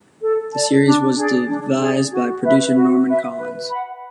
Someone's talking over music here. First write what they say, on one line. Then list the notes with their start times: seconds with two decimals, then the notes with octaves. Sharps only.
The series was devised by producer Norman Collins.
0.21 A4
0.52 D5 A5
0.85 D4
1.16 G#4 D5
1.47 D4
1.79 G#4 D5
2.11 F#4
2.42 B4 E5
2.74 F#4
3.06 B4 E5
3.37 B4
3.69 F#5 B5